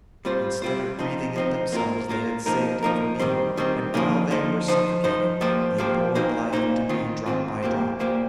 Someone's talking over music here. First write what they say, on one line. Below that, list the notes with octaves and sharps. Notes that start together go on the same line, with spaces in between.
Instead of breathing it themselves, they had saved it for me, and while they were suffocating, they poured life into me drop by drop!
G3 C4 F4 C5
G3 C4 F4 C5
F3 C4 D#4
F3 C4 D#4
A#3 F4 A#4
A#3 F4 A#4
F3 A#3 D#4 A#4
F3 A#3 D#4 A#4
D#3 G3 C4
D#3 G3 C4
F3 A#3 D#4
F3 A#3 D#4
F3 D#4 C5
F3 D#4 C5
F3 A#3 G4 C5
F3 A#3 G4 C5
A#2 A#3 D#4 C5
A#2 A#3 D#4 C5
D#3 C4 F4
D#3 C4 F4
A#2 A#3 G4 C5
A#2 A#3 G4 C5